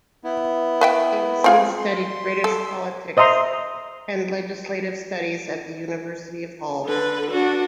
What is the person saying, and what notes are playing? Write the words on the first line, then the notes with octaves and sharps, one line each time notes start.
Davison studied British Politics and Legislative Studies at the University of Hull.
B3 E4
B4 E5 G5
C4 F4 G#4
C6
A4
C5 D#5 E5 A#5 C6
D3 B4
D4 F#4